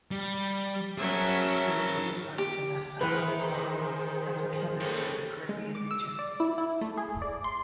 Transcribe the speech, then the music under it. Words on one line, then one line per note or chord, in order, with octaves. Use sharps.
He was reassigned to Nassau, Bahamas as a Chemist for the Caribbean region.
G3
F#3 C#4 G#4 A#4 E5
G4
D#3 E3 G#4 B4 C5
G4 A4 C#5
G#3
D6
E6
D5
E4
E4
A3
G#4
D5
C6